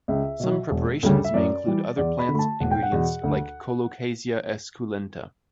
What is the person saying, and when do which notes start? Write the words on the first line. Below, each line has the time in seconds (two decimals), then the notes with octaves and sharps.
Some preparations may include other plant ingredients like "Colocasia esculenta".
0.08 C#2 E5
0.40 B2 F#3
0.71 E1
1.03 D2 C#3 G3
1.25 E5
1.34 F#2 D5
1.66 E3 G3
1.97 E2 D5
2.19 B5
2.29 D3
2.34 A3 B5
2.39 A5
2.60 E1 F#5
2.71 G5
2.83 F#5
2.92 E2 B2
3.23 D2